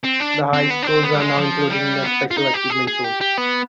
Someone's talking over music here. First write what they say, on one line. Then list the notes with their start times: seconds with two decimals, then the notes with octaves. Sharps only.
The high schools are now included in a special Achievement Zone.
0.04 C4
0.20 D4
0.53 C4
0.70 B3
0.82 D4
0.87 C4
1.03 B3
1.15 G3
1.20 G#3
1.37 F3
1.70 G3
2.04 B3
2.31 F4
2.37 D#4
2.54 G4
2.70 G#4
2.87 G#4
3.04 G4
3.21 G4
3.38 B3